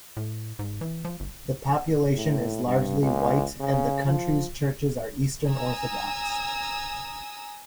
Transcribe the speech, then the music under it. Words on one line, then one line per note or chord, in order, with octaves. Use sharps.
The population is largely white, and the country's churches are Eastern Orthodox.
A2
G#2
E3
F3
G1
A2
G2
C#2
C#3
F3
G#5 A#5 D#6 E6